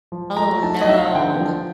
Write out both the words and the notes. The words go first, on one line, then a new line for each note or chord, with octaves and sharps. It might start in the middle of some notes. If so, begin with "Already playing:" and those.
Oh, no.
F3
A3 A#5
D#4 A5
D#5
D#4 E5
F5
F#5
D3 G5
F3